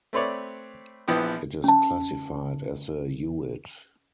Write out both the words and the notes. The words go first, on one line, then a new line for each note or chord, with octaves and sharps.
It is classified as a Hewitt.
A3 C4 B4 C#5 D5
A#1 E3 F3 B3 G5 D#6
C#4 A5